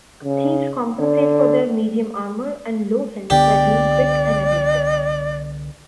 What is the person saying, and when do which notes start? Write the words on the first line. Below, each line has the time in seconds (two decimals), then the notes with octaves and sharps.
Thieves compensate for their medium armor and low health by being quick and evasive.
0.24 C#3
1.00 D3
3.30 C2 D3 B3 G4 D5